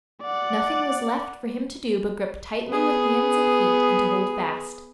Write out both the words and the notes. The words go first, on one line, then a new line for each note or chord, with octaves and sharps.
Nothing was left for him to do but grip tightly with hands and feet and to hold fast.
D5 F#5
B3 G#4